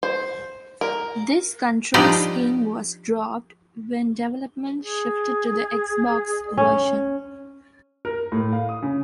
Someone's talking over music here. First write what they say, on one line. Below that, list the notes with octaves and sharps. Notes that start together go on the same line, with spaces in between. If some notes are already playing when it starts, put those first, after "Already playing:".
This control-scheme was dropped when development shifted to the Xbox version.
C5
A#4
F3 G3 D4 D#4 F4 G4
G#4
C#4
A#4
A2
F5
D#6
C#3